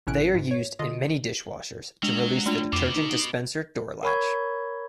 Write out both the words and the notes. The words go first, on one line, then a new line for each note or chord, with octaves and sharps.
They are used in many dishwashers to release the detergent dispenser door latch.
A1 A2 C#4 F#6 D7
G#2
C#5
D3 F4 D#5 D#6
F#3 G#3 D4
A3 D4 F4
F2 B2 D6
D#4
A#4 C#5 B5 C#6 G#6